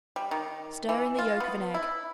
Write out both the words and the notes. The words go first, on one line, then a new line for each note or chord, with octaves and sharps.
Stir in the yolk of an egg.
G3
D#3
E3
F4
B3
E4